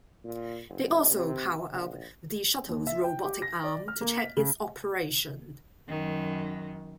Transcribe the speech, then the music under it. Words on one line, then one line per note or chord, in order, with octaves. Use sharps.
They also powered up the shuttle's robotic arm to check its operation.
A#2
F#1
C3
A#1
D#2
E5
G5
G4
A#6
D5
F6
A#3
B6
C#3
F#2 D#3